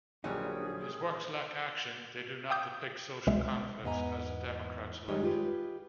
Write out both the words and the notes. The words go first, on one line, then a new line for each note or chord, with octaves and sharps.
His works lack action, they do not depict social conflicts, as the democrats liked.
A#1 G#2 D3 F#3 G3 C#4 D#4 G#4
F5 G5 D6 D#6 G6
C#2 B2 G#3 E5
E2 G#2 B3 D#5 G#5 A#5
D#3 G3 G#3 D#4 C#5 D#5
F4 G4 G#4 B4